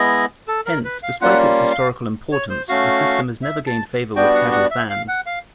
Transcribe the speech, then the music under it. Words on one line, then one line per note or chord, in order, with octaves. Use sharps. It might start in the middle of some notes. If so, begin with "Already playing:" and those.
Hence, despite its historical importance, the system has never gained favor with casual fans.
Already playing: G#3 B3 E4 D#5
A4
A#4
B4
F5
G3 A#3 C#4 F4 F#5
F5
C#5
C5
A3 C#4 F#4 F5
E5
A5
G3 B3 D4 F#4 G5
F#5
F#5
E5
F5
F#5
F5